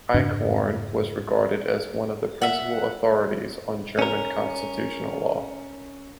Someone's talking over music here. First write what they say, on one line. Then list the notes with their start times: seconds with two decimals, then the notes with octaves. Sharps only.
Eichhorn was regarded as one of the principal authorities on German constitutional law.
0.14 F2 G#2 C#3 D4
2.42 E5 F#5
3.99 C#4 A#4